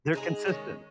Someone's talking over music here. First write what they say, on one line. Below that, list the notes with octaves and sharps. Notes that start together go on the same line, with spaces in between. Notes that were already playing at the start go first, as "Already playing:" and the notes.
They're consistent,
G#3 C4 D#4 G#4
D#3 G#3 C#4